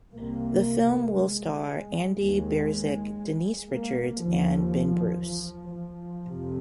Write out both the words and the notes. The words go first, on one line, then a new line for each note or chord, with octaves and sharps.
The film will star Andy Biersack, Denise Richards, and Ben Bruce.
C2 C3 A#3
G#3
D#2 G#3
A#3
D#2 F3
F3
F3
F2 C3